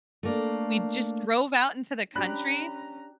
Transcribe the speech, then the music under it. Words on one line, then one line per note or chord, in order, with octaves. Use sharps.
we just drove out into the country,
A3 A#3 D4
C#4 D4 G4 A#5 B5 F#6